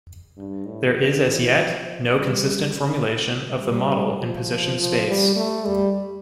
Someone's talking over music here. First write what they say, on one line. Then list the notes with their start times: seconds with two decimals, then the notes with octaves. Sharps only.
There is as yet no consistent formulation of the model in position space.
0.37 G2
0.67 A2
0.97 D3
1.25 E3
1.55 F3
2.14 G3
3.60 G3
4.19 F3
4.78 F3
5.08 G3
5.36 A3
5.66 G3